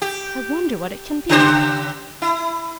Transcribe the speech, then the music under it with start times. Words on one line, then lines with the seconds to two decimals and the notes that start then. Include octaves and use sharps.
I wonder what it can be!
0.02 G4
1.29 C#3 G4 C5
2.22 E4